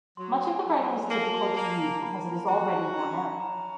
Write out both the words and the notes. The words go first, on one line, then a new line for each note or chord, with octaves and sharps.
Much of the writing is difficult to read because it is already worn out.
F#3 C6
G#5
F#3
G#5
A#3 A5
A#3 A#5
A#3 B5
F#4
C#4 A#5
B5
C#4 A#5